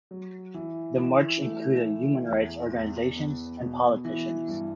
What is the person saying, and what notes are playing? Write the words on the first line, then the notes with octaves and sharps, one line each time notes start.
The march included human rights organisations and politicians.
F#3
E3
E3
A3
E3
E2
E2
B3
B2
E3
G2